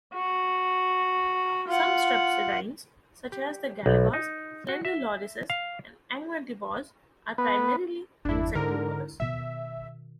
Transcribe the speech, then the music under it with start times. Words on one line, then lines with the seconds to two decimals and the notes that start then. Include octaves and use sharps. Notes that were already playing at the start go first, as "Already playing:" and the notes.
Some strepsirrhines, such as the galagos, slender lorises, and angwantibos, are primarily insectivorous.
0.14 F#4
1.68 F4 F#5
3.32 G4
3.86 B1
4.14 D#4
4.69 F#4
4.85 E5
5.50 F5
7.38 B3
8.25 G1 E2 D4 E4
8.55 G#2 D3 E4 A#4
9.20 B2 D#3 E5